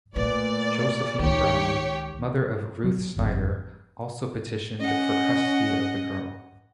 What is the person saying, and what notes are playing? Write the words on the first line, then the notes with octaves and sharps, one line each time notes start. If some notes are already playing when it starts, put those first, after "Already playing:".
Josephine Brown, mother of Ruth Snyder, also petitioned for custody of the girl.
A#2 A3 B4 D5
C#2 D#3 D#4 G4 C#5
F#3
G1 F2
C#4 D#5 F#5